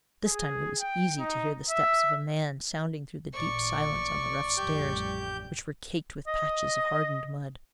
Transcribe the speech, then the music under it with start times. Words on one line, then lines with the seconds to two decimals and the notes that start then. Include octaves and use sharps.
This time it was easy to hear the steps of a man sounding through the deep silence on the rough stairs, which were caked with patches of hardened mud.
0.25 G#4
0.80 G5
1.18 D#4
1.70 E5
3.33 A1 A#2 D5 C#6
4.57 A1 F2 G3 G4 G6
6.27 D#5